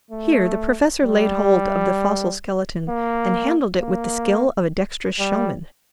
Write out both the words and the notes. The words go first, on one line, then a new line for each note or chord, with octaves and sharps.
Here the Professor laid hold of the fossil skeleton, and handled it with the skill of a dexterous showman.
A3
G3
A#3
A#3
G3